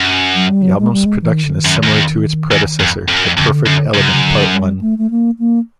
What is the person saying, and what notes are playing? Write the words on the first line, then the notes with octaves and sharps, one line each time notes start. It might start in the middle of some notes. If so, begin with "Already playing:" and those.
The album's production is similar to its predecessor, "The Perfect Element, part I".
Already playing: F#2
F#3
G3
F#3
G#3
G3
G#3
E3
D#3
D3
D#3
F#2
E2
F2
E2
F2
F2
F#2
F2
F2 D3
C#3
D3
F#2 D3
F#2 C#3
C#3
D3
G3
A3
A3
A#3
A#3